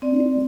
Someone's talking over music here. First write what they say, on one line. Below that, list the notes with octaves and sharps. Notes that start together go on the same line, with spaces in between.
Y y
C4 D5